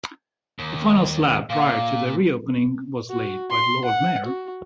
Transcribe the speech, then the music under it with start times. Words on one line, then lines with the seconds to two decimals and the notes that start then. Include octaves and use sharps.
The final slab prior to the reopening was laid by the Lord Mayor.
0.59 D#2
1.50 A#2 F5
3.10 F#4
3.51 C6
3.86 F#5
4.27 F#4